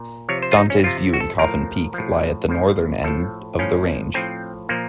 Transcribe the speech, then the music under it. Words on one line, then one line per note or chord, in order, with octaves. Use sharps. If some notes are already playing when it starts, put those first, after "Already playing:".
Dante's View and Coffin Peak lie at the northern end of the range.
Already playing: A#2
C3 F3 C#5
C5
F4
D#4
C#4
C3 F3 F4
F#4
A4
A2 F3 A#4
A2 F3
A2 F3
A2 F3 A4
A2 F3 C#4
A2 F3 C4
A#2 F3 A#3